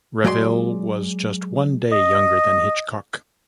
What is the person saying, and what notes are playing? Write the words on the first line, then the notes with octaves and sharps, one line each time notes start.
Reville was just one day younger than Hitchcock.
F#3 G#3 D5 G5 C6
D#5